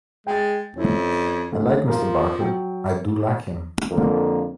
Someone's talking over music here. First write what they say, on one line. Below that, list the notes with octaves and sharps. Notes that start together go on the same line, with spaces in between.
I like Mr. Barker — I do like him.
G#3 G5 A6
F2 C#4 E4
D2
F3 F4 A#4
F#3 G5
F2 D3 A#3